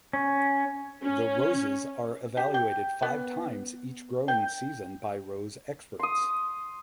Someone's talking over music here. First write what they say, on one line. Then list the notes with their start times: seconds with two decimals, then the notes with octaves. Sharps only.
The roses are evaluated five times each growing season by rose experts.
0.13 C#4
1.04 C#4
2.37 G4
2.54 G5
3.02 B3
4.28 G5
5.99 C6 D#6